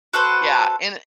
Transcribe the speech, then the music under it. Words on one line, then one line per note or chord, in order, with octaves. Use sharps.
Yeah, and it
F#4 A4 B4 C5